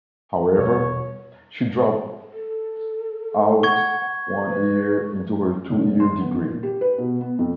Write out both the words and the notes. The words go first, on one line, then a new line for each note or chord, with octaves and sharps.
However, she dropped out one year into her two-year degree.
E2 B2 G3 C#5
A4
F#5 C#6 G#6
C5
B4
F#1
C6
B3
A#2
G4
B4
B2
B3
F2